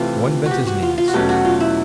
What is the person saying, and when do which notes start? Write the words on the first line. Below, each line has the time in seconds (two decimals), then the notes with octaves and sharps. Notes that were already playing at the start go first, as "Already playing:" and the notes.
One bent his knees.
Already playing: C3 E3 A3 F4
0.46 F#4
0.51 G4
0.67 F#4
0.82 F4
0.98 F4
1.08 F#4
1.13 E2 B2 F#3 A3 C#4 G4
1.29 F#4
1.45 F4
1.60 E4